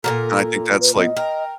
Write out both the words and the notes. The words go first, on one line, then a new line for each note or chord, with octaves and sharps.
And, I think that's like
A#2 F3 A4 A#4
B4
B3 D#5
A#4 G5